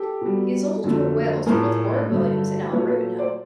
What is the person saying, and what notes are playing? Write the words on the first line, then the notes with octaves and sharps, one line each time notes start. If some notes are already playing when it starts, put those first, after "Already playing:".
He has also toured Wales for both Orig Williams and Alan Ravenhill.
Already playing: G4 A4
B2 G3
F2 D3 F#3 A3
A2 F3 A3 G#4 A#4
G2 D3 F#3 A3
A#2 F#3 A3 B4 C#5
B4 C#5
C5 D5